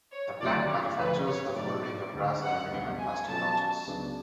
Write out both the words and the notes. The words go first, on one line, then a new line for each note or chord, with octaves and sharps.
The plant manufactures the full range of brass, aluminium and plastic torches.
C#5
D2 C#3 F#3 A3 F4 D5
C#5
D2 D3 F3 B4
C#5
G#2 F#3 A3 D5
D2 D3 G#3 D4
F#5
C#2 B2 G#3 B3 D4
G#5
B2 F#3 C#4 F4 A4 A5
C#2 C#3 F#3 B3 D4